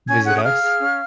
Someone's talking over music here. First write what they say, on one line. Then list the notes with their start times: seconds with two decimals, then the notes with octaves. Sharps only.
visit us.
0.08 C#4 G#5 G#6
0.25 G#4 F#5 F#6
0.37 D#6
0.44 G#4 F5 F6
0.62 G#4
0.80 C#4